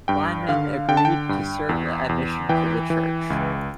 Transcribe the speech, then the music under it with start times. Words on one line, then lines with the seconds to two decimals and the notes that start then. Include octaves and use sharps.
Lyman agreed to serve a mission for the church.
0.08 G2 G5
0.48 D3 F5
0.88 D3 G5
0.97 A5
1.05 G5
1.29 G2
1.69 E2
2.09 E2
2.49 E3 G5
2.90 E3
3.30 C#2